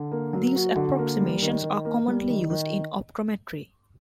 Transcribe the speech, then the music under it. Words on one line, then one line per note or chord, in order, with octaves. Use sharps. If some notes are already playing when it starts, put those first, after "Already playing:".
These approximations are commonly used in optometry.
Already playing: D3
A#3
F#3
F#4
D3
A#3
G3
D#3
D#3
A#3
G3
D#3
D#3